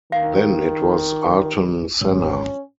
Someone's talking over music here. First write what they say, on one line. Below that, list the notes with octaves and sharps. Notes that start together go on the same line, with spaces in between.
Then it was Ayrton Senna.
D#3 F5
G#1 C#4